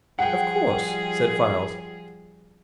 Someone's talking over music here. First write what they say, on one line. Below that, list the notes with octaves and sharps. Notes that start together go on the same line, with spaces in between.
"Of course," said Files.
F3 G3 G#4 F#5 G5